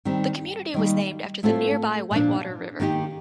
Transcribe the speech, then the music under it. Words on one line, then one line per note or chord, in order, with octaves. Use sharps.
The community was named after the nearby Whitewater River.
D#3 G3 C4 G4
D#3 G3 A#3
A2 A3 C4 F4 A4
A#2 F3 A#3 D4
D#3 A#3 D#4 G4